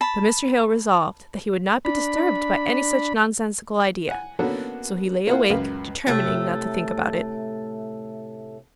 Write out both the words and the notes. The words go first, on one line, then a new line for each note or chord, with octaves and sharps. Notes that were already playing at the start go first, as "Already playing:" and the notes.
But Mr. Hale resolved that he would not be disturbed by any such nonsensical idea; so he lay awake, determining not to think about it.
A5 B5
D4 B5
F#5 G#5
A#3 B3 C#4 D4 F#4 A4
A#3 E4 F4 F5 F#5
C#2 F#2 B4 F5
A2 C3 A3 A4